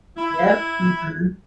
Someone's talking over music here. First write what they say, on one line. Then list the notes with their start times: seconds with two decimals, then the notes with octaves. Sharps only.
Yep. Mhm.
0.17 E4